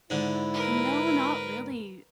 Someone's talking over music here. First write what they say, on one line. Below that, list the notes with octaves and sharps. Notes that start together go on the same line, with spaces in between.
No, not really.
G#2 D3 E4
A#4 B4